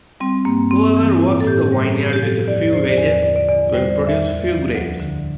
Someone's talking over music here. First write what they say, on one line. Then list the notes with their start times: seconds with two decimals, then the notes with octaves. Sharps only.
Whoever works the vineyard with few wages, will produce few grapes.
0.20 G3 C4
0.45 G2 A#3
0.71 G2 C4
0.97 E3
1.22 A2
1.41 A4
1.46 A2 G4
1.72 G3
1.97 A2
2.13 G4
2.22 F3 A4
2.48 E2 D5
2.73 F3 C5
2.89 D5
2.98 E2
3.06 D5
3.23 D3 D5
3.36 D5
3.48 E2 D5
3.61 D5
3.73 G3 C5
3.91 D5
3.99 E2
4.07 E5
4.25 D2
4.49 F3
4.74 D2
4.99 D3